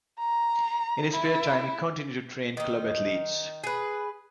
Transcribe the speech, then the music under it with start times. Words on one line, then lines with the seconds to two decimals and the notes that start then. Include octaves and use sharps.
In his spare time he continued to train club athletes.
0.19 A#5
1.12 E4
2.57 D#3 D#4
3.64 G#4 B4